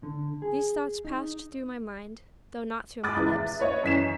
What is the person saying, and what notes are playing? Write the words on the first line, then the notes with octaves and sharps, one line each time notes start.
These thoughts passed through my mind, though not through my lips.
D3
G#4
D#4
B5 D6 D#6 F#6 A6
C#2 E3 B4
E5
B4 C#5 D#5
F#2 E3 C#4 B6 C7 E7